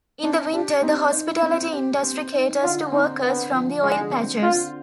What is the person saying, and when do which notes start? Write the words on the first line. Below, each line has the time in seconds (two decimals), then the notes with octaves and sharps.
In the winter, the hospitality industry caters to workers from the oil patches.
0.23 C4 D4
0.52 D4 G4
0.82 C4 D#4
1.12 D#4
1.42 C4
1.73 G4
2.03 C4
2.32 D#4
2.62 D3 F4
2.92 C4 D#4
3.23 D3 B3
3.52 F3
3.82 D3 G#3
4.12 C4
4.42 D3 F4